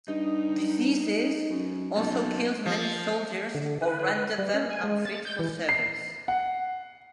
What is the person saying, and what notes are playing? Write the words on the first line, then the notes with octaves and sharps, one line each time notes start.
Diseases also killed many soldiers or rendered them unfit for service.
G2 D#4
F#2
B1 B3 C#4 A4
F3
D3
B4
B4
G3
C#4
G#5
G#3
A6
G6
E3
C7
F#5